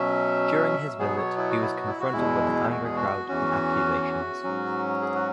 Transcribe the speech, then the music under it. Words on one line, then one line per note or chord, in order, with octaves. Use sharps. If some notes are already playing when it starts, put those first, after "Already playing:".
During his visit he was confronted with an angry crowd and accusations.
Already playing: B2 F#3 C#4 E5
B2 F#3 B3 G#4
C#5
E4
F#4
E4
F#4
E4
F#4
E2 B2 G#3 E4
F#4
G#4
F#4
E2 E3 C#4
G#2 F#3 C#4
G#4
F#4